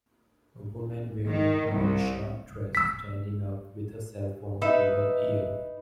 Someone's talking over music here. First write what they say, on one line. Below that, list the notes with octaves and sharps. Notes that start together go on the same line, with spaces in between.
A woman wearing a very short dress standing up with her cellphone to her ear.
D#3
C2
E6 B6
D#4 B4 E5